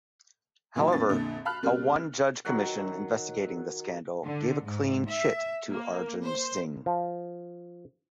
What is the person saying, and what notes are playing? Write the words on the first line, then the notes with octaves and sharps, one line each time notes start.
However, a one-judge commission investigating the scandal gave a clean chit to Arjun Singh.
A#2 E3 F#3 D#4 A5
F1 B3 C#4 A6
A#1 F2 D3
F5 A5 B5 F6 F#6
C#3 G3 A#3 C4
D#3 F#3 F#5
D3
G#2
E5
A#3
C5
F3